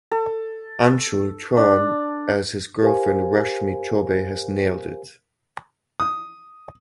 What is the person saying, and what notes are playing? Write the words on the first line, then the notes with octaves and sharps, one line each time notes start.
Anshul Chauhan as his girlfriend Rashmi Chaubey has nailed it.
A4
D4
G4 A#4 C5 F5 G#5
D#6